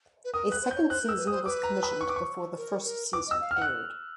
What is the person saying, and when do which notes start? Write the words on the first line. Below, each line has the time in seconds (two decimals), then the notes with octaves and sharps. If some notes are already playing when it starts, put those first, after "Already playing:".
A second season was commissioned before the first season aired.
0.25 B4
0.33 A#4 D#6
0.47 B4 F#6
0.62 C5
0.71 C#5 G6
0.83 C#5
0.89 C5 F#6
1.03 A#4
1.09 E6
1.18 B4
1.27 C5 D#6
1.46 B4 D6
1.63 A#5
1.83 B5
2.01 C#6
2.09 D6
2.16 C#6
2.57 A#4
2.85 A#4
3.13 B4 D6
3.27 D#5 E6
3.41 F5
3.51 F#5 F6
3.62 F#6